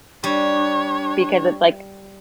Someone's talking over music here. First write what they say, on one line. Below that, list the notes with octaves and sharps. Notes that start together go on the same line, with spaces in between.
because it's, like,
G3 D4 C#5